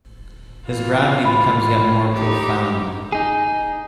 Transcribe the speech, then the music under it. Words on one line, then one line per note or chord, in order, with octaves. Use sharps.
His gravity becomes yet more profound.
E3 F4
B5
D#4 G4
D#4 G#4